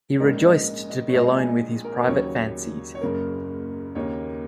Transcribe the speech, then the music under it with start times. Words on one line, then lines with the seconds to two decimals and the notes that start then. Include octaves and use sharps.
He rejoiced to be alone with his private fancies.
0.20 A#1 G#2 G#3 C#4 A#4
0.43 D#5
0.90 D#5
1.09 C#5
1.14 A#1 A#2 G#3 D#5
1.37 G#5
1.85 A#4
2.03 A#4
2.07 D#2 C#3 F#3 C#4 C#5
2.95 C#5
3.01 F#1 F#2 C#3 A#3 A#4
3.95 D#2 C#3 A#3 D#4 C#5